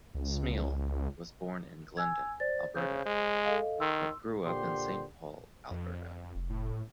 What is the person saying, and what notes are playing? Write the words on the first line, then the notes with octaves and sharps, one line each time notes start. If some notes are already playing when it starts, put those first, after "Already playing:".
Smyl was born in Glendon, Alberta, but grew up in Saint Paul, Alberta.
C#2
G#5 E6 G#6
C5 D5 A6
C#3 C5 G6
G#3
A4 D#5 F5
D#3 C6 E6
A#2 D3 G4 C5 C6
F2
F1
A2